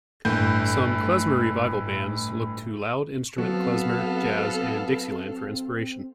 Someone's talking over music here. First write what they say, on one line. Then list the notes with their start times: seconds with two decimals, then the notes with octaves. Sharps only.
Some klezmer revival bands look to loud-instrument klezmer, jazz, and Dixieland for inspiration.
0.25 G1 A2 G6
3.38 F#3 B3 C4 A4 F5